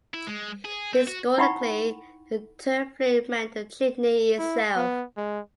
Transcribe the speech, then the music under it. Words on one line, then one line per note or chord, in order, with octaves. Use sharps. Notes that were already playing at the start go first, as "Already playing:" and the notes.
Historically the term flue meant the chimney itself.
E4
G#3
G#4
C4
F#4
D#4 E4 F#5 G5 B5 C#6
E4
B3
G#3